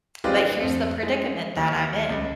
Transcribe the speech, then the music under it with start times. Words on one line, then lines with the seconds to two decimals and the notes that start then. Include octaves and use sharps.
But here's the predicament that I'm in.
0.24 G#3 C4 F4 G4 B4 D5
0.41 D4
0.60 F2 C4
1.03 G#3
1.56 D#2
2.09 C#2